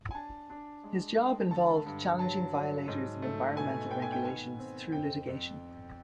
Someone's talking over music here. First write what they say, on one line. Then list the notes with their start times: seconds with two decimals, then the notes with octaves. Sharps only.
His job involved challenging violators of environmental regulations through litigation.
0.11 G#5
0.14 D4 A5
0.50 D4
0.84 G#3
1.17 G#3
1.51 D3 A5
1.86 G2
2.19 F#3 A5
2.54 F#3
2.88 G#2
3.22 A3
3.57 B2 G#5
3.91 B3 G5
4.02 G#5
4.12 G5
4.24 D#3 G#5
4.59 C4
4.92 F2 G5
5.27 F2